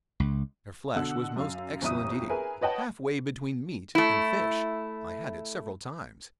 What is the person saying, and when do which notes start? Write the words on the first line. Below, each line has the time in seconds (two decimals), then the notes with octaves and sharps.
Their flesh was most excellent eating--half-way between meat and fish: I had it several times.
0.20 C#2
0.96 B2 D3 F#5 E6
1.36 F#2 F5
1.82 G1 C2 F2 E5 D#6 D#7
2.30 G#4 A#4 B4 E5 G#5
2.61 B4 C#5 D#5 F#5 G5 A5
3.95 A3 E4